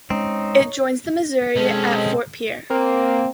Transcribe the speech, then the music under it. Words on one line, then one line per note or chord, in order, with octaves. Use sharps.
It joins the Missouri at Fort Pierre.
G#3 C4 C#4 D#4 C#5
B1 G#3 C4 C#4 A4 D#5
A#3 C4